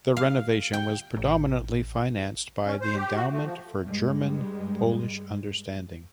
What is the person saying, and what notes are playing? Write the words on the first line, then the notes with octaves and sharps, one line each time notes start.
The renovation was predominantly financed by the "Endowment for German-Polish Understanding".
F5
G5
A1
C#4
C5
G4
F#4
A3
F3
G2 G3 G#3